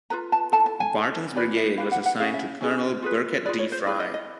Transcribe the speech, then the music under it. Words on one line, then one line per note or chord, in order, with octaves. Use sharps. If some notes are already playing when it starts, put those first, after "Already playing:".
Barton's brigade was assigned to Colonel Birkett D. Fry.
F4 G#4 B4 A#5
A5
E4 A4 A5
A5
G#5
E4 A4
E4 G4 B4 D5
E5
E4 G4 B4 F5
F#5
F#5
C#4 E4 G#4 F5
E5
C#4 E4 G#4
F4 G#4 B4
F4 G#4 B4 D5
C#5
C5
E4 G#4 B4 D5
D#5
D#5